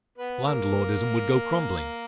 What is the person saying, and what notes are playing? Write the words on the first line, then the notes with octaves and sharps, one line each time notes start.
Landlordism would go crumbling.
B3 B4
A#3 A#4